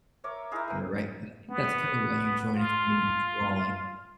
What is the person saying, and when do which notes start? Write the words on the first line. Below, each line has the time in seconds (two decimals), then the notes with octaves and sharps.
etcetera, right? 'Cause I think that's kind of why you join a community overall. Like,
0.24 A#4 C#5 E5 D6
0.51 D#4 E4 G#4 A#4
0.68 A#4 B4 G5
1.51 B3
2.56 F4